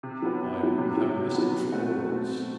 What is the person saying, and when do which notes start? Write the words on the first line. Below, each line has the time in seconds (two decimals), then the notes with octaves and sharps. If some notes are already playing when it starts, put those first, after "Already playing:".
"I wouldn't have missed it for worlds."
0.03 C3
0.22 F#3 B3
0.41 C3
0.59 F#3 B3
0.78 C3
0.97 F#3 B3
1.16 C3
1.35 F#3 B3
1.54 B2
1.73 A3 C4 F#4
1.91 B2
2.10 A3 C4 F#4
2.29 B2